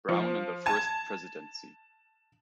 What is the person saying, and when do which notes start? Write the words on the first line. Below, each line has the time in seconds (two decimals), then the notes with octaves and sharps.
Brown in the First Presidency.
0.09 F3
0.66 A5 G#6